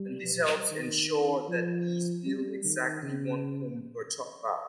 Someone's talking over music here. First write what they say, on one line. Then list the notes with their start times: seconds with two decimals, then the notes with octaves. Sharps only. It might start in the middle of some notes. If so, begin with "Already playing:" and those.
This helps ensure that bees build exactly one comb per top bar.
Already playing: G3
0.71 D#3
1.49 F3
2.26 G3
2.64 D#3
3.03 C#3